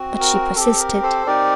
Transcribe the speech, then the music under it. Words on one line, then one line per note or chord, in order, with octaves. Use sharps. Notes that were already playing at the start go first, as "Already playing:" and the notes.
But she persisted.
Already playing: C4 F#4
A#4
C4 G4 A4
A#4
A4 C5
C4 D#4 G4 A#4 D5